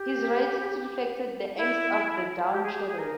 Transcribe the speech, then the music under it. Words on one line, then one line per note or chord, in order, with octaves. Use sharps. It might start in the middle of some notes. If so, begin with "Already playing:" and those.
His writings reflected the angst of the down-trodden.
Already playing: G4
E4
G4
G#4
G4
G#4
A#4